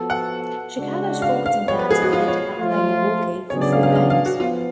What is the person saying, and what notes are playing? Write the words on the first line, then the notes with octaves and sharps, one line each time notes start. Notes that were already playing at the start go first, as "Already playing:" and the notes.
Chicago's forwards and guards appeared to outplay Milwaukee for four games.
Already playing: F3 B3 F#4 A4
F#5
C#3 G#3 D4 F#4
F5
F5
F3 G#3 B3 C#5
B4
G#4
F#4
F4
C#5
F3 A3 F4
C#3 F#3 B3 D4 G#4 C#5
D5
F5
F5
F5
F5
F#4
F3 B3 F4